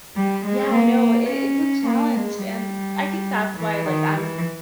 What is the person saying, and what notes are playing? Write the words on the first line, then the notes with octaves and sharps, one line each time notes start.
Yeah, no, i i it's a challenged, and I think that's why, like, I'm
G3
G#3
A#3
C#4
A#3
G#3
G3
E3
D#3
E3